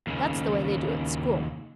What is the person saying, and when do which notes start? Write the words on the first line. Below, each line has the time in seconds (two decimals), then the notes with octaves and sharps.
That's the way they do at school.
0.07 D#2 C#3